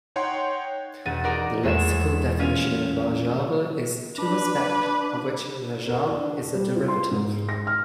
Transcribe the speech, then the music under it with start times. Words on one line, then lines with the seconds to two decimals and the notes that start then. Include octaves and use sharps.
The lexical definition of Rajaba is "to respect", of which Rajab is a derivative.
0.16 D#4 C#5 F#5 G5 C6
1.06 E1 F#4 A6 D#7
1.24 D#4 F#4 A#4 D5 A#5 D6
1.63 E2 G#3 A4 C#6 E7
2.39 C#4 F4 C#5 F5
4.18 D4 B4
5.87 A#4
6.08 D4
6.55 G3
6.76 F4
6.88 C6
7.11 G#2
7.49 A#6
7.67 F6